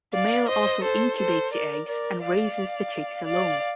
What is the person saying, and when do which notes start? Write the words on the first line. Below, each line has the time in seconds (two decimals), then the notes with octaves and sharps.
The male also incubates the eggs and raises the chicks alone.
0.12 D5 F5
0.47 C5 D#5
0.82 A4 C5
1.16 A4 C5
1.51 A#4 D5
1.87 A#4 D5
2.21 D5 F5
3.26 D5 F5